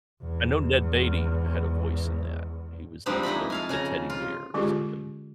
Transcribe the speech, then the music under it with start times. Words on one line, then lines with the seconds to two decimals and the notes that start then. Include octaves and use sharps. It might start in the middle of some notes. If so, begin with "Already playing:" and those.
I know Ned Beatty had a voice in that. He was like the the teddy bear or something.
0.23 E2 G#2
3.06 F3 G3 G#3 C4 D4 D#4
3.23 F2 D#4 E4 B5
3.50 A4 F5 G#5
3.69 C#3 G#5 A#5
4.10 F4
4.54 D3 G#3 C#4 F4 G4 G#4